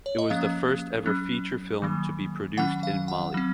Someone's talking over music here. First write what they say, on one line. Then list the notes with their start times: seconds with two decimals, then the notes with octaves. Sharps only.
It was the first ever feature film to be produced in Mali.
0.06 C#5
0.18 D#5
0.30 F3 A#3 C#4 F5
1.06 F#3 C#4
1.82 D#3 F#3 A#3
2.57 D#3 F#3 C#4 F#5
2.83 F5
3.08 F#5
3.34 F#3 C4